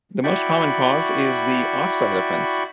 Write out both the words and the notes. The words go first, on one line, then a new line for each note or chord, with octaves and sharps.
The most common cause is the offside offence.
E4 F#4 D5 G5 B5 C#6